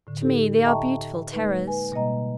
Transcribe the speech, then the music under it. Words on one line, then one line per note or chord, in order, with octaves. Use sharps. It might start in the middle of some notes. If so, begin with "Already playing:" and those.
To me they are beautiful terrors.
A2 D3
D#4 G4 A4
D#5 E5 G5 A5 A#5 C#6
G#3 A#3 D#4 B4
B4 G#5
B2 G3 A#3 D#5 A#5